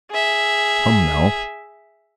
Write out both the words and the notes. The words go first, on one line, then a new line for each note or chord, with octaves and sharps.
Come, now!
G#4 E5